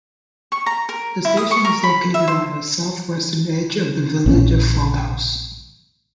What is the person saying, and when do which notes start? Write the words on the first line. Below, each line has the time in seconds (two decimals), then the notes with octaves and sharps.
The station is located on the south-western edge of the village of Fauldhouse.
0.52 C#6
0.66 A#5
0.89 A#4
1.25 E4
1.37 D#6
1.51 C#6
1.65 A#4
1.83 B5
2.14 E5
2.28 C5
4.26 A#1 C4 C#4